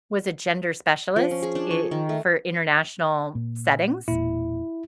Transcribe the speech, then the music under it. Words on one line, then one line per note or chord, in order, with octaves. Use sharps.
was a gender specialist i for international settings.
F3
C#4
G#4
D4
C#6
D#3
A3
A#2
E1 A#2 E4